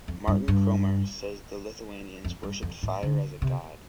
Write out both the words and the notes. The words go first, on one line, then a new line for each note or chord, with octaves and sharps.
Martin Cromer says the the Lithuanians worshipped fire as a god.
F2
G2
G2
F2
G2
F2
A2
D3
C3